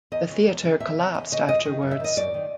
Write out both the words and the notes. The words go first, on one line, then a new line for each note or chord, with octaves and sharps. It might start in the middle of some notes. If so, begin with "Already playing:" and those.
The theatre collapsed afterwards.
E2 D#5
C#3 E3
E2
C#3 E3
E2 E5
C#3 E3
E2 D#5
C#3 E3 D#5
F#2 D#5
D#3
F#2
E5
D#3 D#5
F#2 D5
D#3